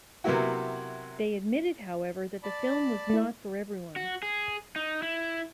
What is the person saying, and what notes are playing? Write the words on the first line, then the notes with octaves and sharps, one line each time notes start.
They admitted, however, that the film was not for everyone.
C3 F#3 A#3 B3 E4 F#4
D5 A5 B5
A3 E4
F#4
G#4
D#4
E4